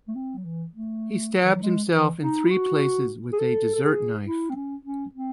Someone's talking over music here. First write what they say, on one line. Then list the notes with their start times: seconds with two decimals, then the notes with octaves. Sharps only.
He stabbed himself in three places with a desert knife.
0.08 A3
0.15 C4
0.37 F#3
0.45 E3
0.74 A3
1.45 E3
1.53 F#3
1.62 G#3
1.91 E3
2.21 D#4
2.44 E4
2.50 F#4
3.33 G#4
3.39 A4
3.74 A4
3.83 G#4
4.27 E4
4.50 C4
4.56 C#4
4.85 C#4
5.15 C4